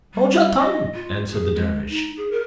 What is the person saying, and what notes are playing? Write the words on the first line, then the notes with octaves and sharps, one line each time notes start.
"Hold your tongue," answered the Dervish.
G3
D#5
F4
G#4
G#3
D#4
G#4
A#4